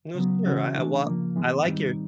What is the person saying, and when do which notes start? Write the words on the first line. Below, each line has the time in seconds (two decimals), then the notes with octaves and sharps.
No, sure. I I well, I like your
0.15 C#3 F#3 B3
0.45 C#3 E3 G#3 C#4 F#4
0.75 C3 E3 A3 D4
1.05 C#3 F3 A#3
1.35 G#2 E3 G#3 B3
1.65 G#2 D#3 G3 C4 D#4